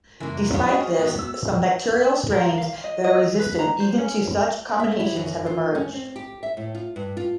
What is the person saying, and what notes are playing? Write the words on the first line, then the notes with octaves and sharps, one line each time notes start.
Despite this, some bacterial strains that are resistant even to such combinations have emerged.
F#1 E3 A#3 E4
F3 B3 F4 C#5
F#4 G#4 C#5 D#5 F5
B3
E6
A#4
F5
D#5
D#5
B4
A#5
C5
C#4
E5
E4
F#2
F4
C#4
C4
G4
E5
A2
F4
G2
F4